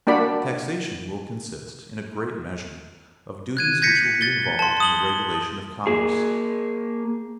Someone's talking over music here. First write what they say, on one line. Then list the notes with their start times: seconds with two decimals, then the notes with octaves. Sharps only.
Taxation will consist, in a great measure, of duties which will be involved in the regulation of commerce.
0.07 A#3 D4 F#4 D5 B5
3.57 F#6 G#6 D#7
3.82 G6 G#6 A#6 B6 C#7
4.21 A6 G7
4.59 A5 C6
4.80 D#6 F#7 G7
5.87 A#3 G#4